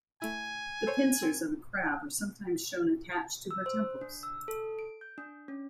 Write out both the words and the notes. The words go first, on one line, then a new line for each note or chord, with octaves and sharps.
The pincers of a crab are sometimes shown attached to her temples.
A3 E4 G#5
A4 C5 C#5
C4
E6
C5
D4
E6
A4
D7
G6
D4
C#4